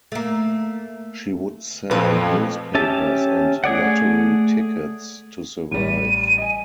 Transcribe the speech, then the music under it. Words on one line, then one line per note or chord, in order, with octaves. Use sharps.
She would sell newspapers and lottery tickets to survive.
A3 A#3
F2 A#2 B4
C#4 G4 E5 A5
A3 G#4 D5 F#5
A1 G3 D#7
D#5 G#5